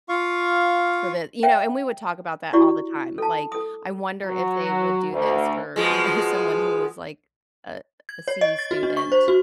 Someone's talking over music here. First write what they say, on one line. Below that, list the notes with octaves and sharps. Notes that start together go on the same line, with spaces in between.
for the" you know, and we would talk about that all the time, like, I wonder if they would do this for, you know, someone who was, like, uh, a C student
F4 F5 C#6
C#5 E5 G5
E4 F#4 G4 D5 C#6
A4 A5
A4 D#6
F#3
D2
B2 F3 G#3
G#6
C#5
D#5
A6
F#4
D4
C#6
C5
F#4